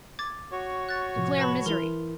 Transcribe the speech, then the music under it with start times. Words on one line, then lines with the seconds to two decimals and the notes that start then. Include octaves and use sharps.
Declare misery.
0.19 D6 G#6 A6
0.52 F#4 C#5
0.89 F#6 A6
1.16 A2 C3 F3
1.38 B4 A5 B5
1.66 E3 E4 A#4 C6 F7